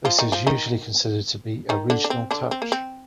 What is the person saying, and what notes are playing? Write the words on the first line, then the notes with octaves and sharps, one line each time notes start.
This is usually considered to be a regional touch.
F3 F4
D#3 D#4
F3 F4
D#3 D#4
D#3 D#4
D3 D4
D4
C4
D3 D4
C4
A#3
C4